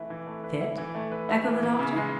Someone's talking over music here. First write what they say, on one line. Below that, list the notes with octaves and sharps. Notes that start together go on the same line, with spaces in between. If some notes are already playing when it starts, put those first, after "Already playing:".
"Fit?" echoed the doctor.
Already playing: E3 A3 E4 B4
E3
A3
B4
E4
E3
A3
B4
E4
E3
E3
C#3
G#3